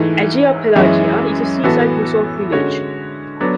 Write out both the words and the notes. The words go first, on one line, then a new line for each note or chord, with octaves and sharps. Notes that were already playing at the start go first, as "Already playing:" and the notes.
Agia Pelagia is a seaside resort village.
Already playing: G#2 E3 A3
F#2 E3 G#3 C#4 E4
A2 E3 B3 F#4 A4
D3 G#3 C#4 F#4 C#5
F#3 B3 D4 A4